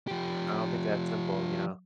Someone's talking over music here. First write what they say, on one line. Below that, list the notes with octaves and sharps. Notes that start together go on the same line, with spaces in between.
I don't think it's that simple, you know,
F3 G4